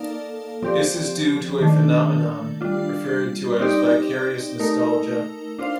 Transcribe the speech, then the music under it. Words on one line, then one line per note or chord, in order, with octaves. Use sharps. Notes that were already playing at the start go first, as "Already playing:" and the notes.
This is due to a phenomenon referred to as vicarious nostalgia.
Already playing: A#3 D#4 A4 D5 F5
F3 C4 G4 D5
D#3 A3 D4
G3 D4 F4
C4 D#4 G4 D5
A3 D#4 A#4
D4 F4 C5 F5